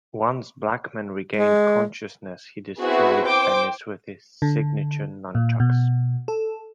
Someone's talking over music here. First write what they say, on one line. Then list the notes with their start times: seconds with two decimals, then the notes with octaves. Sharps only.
Once Blackman regained consciousness, he destroyed Venis with his signature Nunchucks.
1.36 G#3
2.79 B3 C4 E4 F#4 G#4 B4
3.25 C5 G5 D6
4.42 D3
5.35 A#2
5.60 B2
6.28 A4